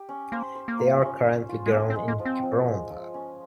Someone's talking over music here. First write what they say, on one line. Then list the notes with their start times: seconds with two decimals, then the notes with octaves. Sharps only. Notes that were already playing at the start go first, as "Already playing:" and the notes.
They are currently grown in Kyperounta.
Already playing: G4
0.09 C#4
0.32 A#3 C5
0.55 C5
0.68 A#3
0.79 F4
1.02 C#4
1.26 C5
1.49 F4
1.66 G#3
1.72 A#3 C#4
1.90 C4
1.96 G#3
2.08 A#3
2.19 F3
2.25 C4
2.43 F3
2.67 G#3
2.91 F3
3.14 C#4